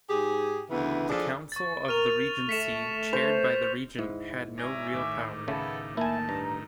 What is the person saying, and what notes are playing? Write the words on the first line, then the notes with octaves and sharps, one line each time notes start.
The Council of the Regency, chaired by the regent, had no real power.
G#2 G4 G#4
D2 C#3 E3 B3 E4
F3 D4 G#4 A4
C#6 A6
A#4 F6 D#7 F7
A3 B6 C#7 E7
C5 F7
G#2 E4
G#3 C#4 D5 E5 G#5 A#5
A2 D#3 D6
C#3 A3 B3 E4 A4
A#3 E4 G#5 A5
G2 A#5